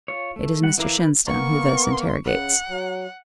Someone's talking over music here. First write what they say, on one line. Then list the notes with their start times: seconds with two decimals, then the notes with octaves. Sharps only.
It is Mr Shenstone who thus interrogates.
0.08 F4 C#5
0.36 A3
0.63 G3 F#5
0.78 E3 E4 A#4 F5 D6
0.98 A#4 B4 B5 G6
1.27 A#3 B3 A#4 C#6
2.25 C#3 F#5
2.69 F#3